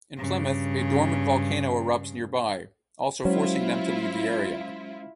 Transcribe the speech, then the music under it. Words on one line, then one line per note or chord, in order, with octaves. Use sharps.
In Plymouth, a dormant volcano erupts nearby, also forcing them to leave the area.
G2 C#3
F#3 G#3 C#4 E4 F4 C5